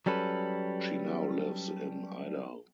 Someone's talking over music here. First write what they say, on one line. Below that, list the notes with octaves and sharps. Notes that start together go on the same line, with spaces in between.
She now lives in Idaho.
F#3 G3 C#4 A4 B4